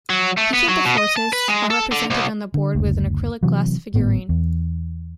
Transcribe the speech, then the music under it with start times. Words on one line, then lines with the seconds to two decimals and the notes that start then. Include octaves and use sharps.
Each of the forces are represented on the board with an acrylic glass figurine.
0.10 F#3
0.38 A3
0.54 B3
0.69 F#3
0.85 B2
0.98 D#5
1.16 A5
1.33 B4
1.48 G#3
1.71 A4
1.92 D3
2.11 C2
2.54 D3
2.75 F#1 D2
3.43 C3 E3 F#3
3.94 G#1 A2 B3
4.29 E2